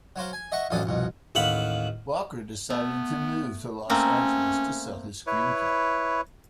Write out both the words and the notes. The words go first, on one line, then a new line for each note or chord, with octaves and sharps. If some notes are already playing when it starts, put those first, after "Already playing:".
Walker decided to move to Los Angeles to sell his screenplay.
F#3 F#4 C5 F5
G#5
D#5 E5 F#5 C#6
A1 F#2 F3 D4 A4 D#6
C2 F2 B2
A1 D#2 F5 F#5 B5
A3 B3
A3 A#3 C4 C#4
E4 B4 C#5